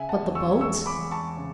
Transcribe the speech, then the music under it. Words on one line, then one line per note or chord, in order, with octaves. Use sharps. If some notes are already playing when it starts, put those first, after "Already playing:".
"But the boat?"
Already playing: C#3 E5 G#5
F#5 A5
E2
C#6 E6
G#3 C#6 E6
B5 D6
E2
A5 C#6
C#3